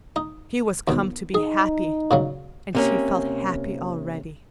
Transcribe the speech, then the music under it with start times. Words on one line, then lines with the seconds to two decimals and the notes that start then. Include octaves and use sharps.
She was come to be happy, and she felt happy already.
0.16 D#4
0.88 D#2 B2
1.34 D#4 G#4
2.11 A#2 C#3 F#3
2.75 C3 A#3 C#4